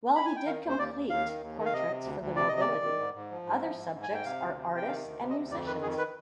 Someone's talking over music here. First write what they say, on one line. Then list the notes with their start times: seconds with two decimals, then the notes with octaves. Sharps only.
While he did complete portraits for the nobility, other subjects are artists and musicians.
0.15 B5
0.25 G#5
0.36 G5
0.46 D#3 F5
0.63 D#2
0.69 C5
0.79 D#2 D5
0.94 D#2
1.10 D#2 F5
1.26 D#3
1.41 D#2
1.57 D#3
1.66 F5
1.73 C3 D#5
1.88 C3
2.04 D2
2.20 D2
2.36 C3 D5
2.48 C3 D#5
2.60 D5
2.67 D#3
2.83 D#3
2.99 G#2
3.15 G#2
3.31 F3
3.46 G#2
3.62 F3
3.78 G#2
3.93 G#2
4.03 G#5
4.09 G#2 G5
4.25 C3 F5
4.41 D2
4.56 C3
4.72 C3 G5
4.88 D#3 F5
5.04 D2
5.19 C3
5.30 D#5
5.35 D2
5.51 F2 D5
5.67 D#3 B4
5.82 F2 G#4
5.98 B4